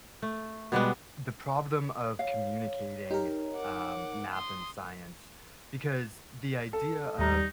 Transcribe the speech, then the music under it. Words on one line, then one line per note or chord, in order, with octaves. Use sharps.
the problem of communicating, um, math and science, because the idea of
A3
B2 G3 G#3 B3
C#5 F5
D#4 G4 A#4
F#5 D6
C6 D#6
A4
D#2 G3 D#4 A#5